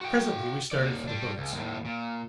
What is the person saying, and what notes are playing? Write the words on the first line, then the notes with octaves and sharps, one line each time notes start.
Presently we started for the boats.
F#4 G5
D#2 D5
G3 D4
C#2
D#2 A2
A#2